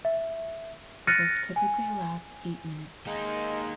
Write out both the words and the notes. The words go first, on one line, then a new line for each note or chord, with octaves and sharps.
The work typically lasts eight minutes.
E5
F6 F#6 A6 A#6 C#7 D#7
G#5
G#3 A#3 D#4